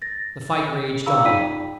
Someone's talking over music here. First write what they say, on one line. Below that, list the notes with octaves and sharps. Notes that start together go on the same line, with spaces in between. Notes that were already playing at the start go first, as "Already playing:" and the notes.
The fight raged on.
A6 A#6
G#4 F5 A#5 B5 E6
D#4 F4 D5 G5 B6 D#7